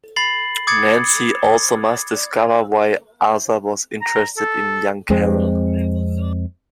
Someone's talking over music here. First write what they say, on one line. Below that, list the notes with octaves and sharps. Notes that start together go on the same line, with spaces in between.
Nancy also must discover why Asa was interested in young Carol.
B5 A6 C7 F#7
D6 D#6 G#6 A6 C#7
A#5
A4
F2 G#3 C4